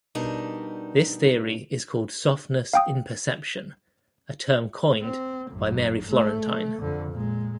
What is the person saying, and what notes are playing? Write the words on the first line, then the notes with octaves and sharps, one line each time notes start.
This theory is called "softness imperception", a term coined by Mary Florentine.
B2 G3 D4 D#4 A#4
F5 G5 D#6
C4
G#1 F#2
A3
F2 D3
A#2 G#3